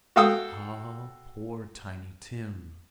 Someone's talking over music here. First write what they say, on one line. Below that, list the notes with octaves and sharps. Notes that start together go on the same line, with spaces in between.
Ah, poor Tiny Tim!
F#4 A4 F5 G5 D#6 E6